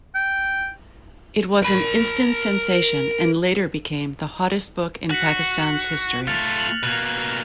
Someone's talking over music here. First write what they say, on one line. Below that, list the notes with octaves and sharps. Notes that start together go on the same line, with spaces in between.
It was an "instant sensation" and later became the "hottest book in Pakistan's history".
G5
A#4 B5
F#4 F#6 B6 C#7
A3 F4 F6 A6 C#7
F7 F#7
B2 A#3 F#6 F7